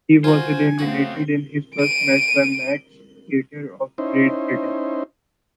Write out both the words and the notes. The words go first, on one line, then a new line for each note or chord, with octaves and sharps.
He was eliminated in his first match by Max Cater of Great Britain.
F4 F#4 C5 G#5
F2 C#3 A3 C4 F#4 F5
D7 D#7
C#4 D#4 E4 C5